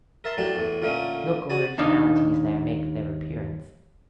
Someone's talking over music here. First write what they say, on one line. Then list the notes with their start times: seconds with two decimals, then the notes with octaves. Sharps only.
Local originalities there make their appearance.
0.24 A#4 E5 A5 C6
0.38 A2 F#3 D4 G4 A5
0.56 E2 A2
0.82 A#2 D3 A3 A#3 C#4
1.50 F#4 D5 G#5
1.78 D#2 D4 D#4 F5